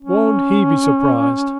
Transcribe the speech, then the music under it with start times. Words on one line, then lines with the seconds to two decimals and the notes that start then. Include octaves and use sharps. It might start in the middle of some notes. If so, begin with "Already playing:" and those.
"Won't he be surprised!"
0.01 C#4